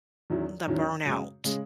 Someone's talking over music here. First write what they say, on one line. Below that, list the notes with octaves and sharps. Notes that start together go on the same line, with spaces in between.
the burnout
E2 D#3 F#3 C#4 E4
E2 D#3 F#3 C#4 E4
F#2 C#3 G#3
C#3 G#3